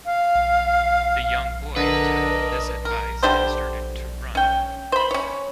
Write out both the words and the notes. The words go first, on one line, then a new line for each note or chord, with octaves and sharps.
The young boy took this advice and started to run.
F5
D3 D4 A#4 B4 D#5
A#4
D3 G3 D4 C5
C#4 G5
C5 B5
C#4 C#5